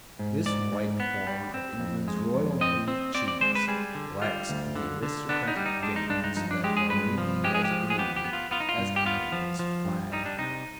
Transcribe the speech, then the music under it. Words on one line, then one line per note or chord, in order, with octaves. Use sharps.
This white form of England's royal blue cheese lacks the aristocratic veins that are really as green as Ireland's flag.
G#2
G#2 D5
G#2
B3
G3
C4
F2
G#3
F2
C4 D#5
C4
C4 D5
D5
G#3 C5
B4
G3 G#4
D3
G3 F4
D2
D3
D3
B3 D4
D#4
G3
D#4
G#3 D4
D#4
G2 D4
D#4
F3 D#4
D4
G#3 G4
G#4
G2 B4
F3
G#3 G4
G#4
G4
F3
G#4
B3 G4
G4
B3
F4
B3 F4
D#4
F4
G2
G4
B3 F4
F3
F3
G2
G3 D#4
D4
C3 D#4